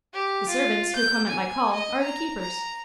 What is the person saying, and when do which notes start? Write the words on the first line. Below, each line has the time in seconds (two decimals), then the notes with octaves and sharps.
The servants who come at my call are the keepers.
0.14 G4
0.50 F4
0.96 G6
1.27 G#5
1.74 D#5
2.03 A#5
2.42 A#5